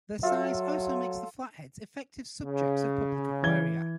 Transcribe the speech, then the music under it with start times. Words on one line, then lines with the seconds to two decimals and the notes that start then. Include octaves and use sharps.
Their size also make the flatheads effective subjects of public aquaria.
0.23 F#3 F4 A4 E5
2.43 C#3
3.43 E3 G#6 G7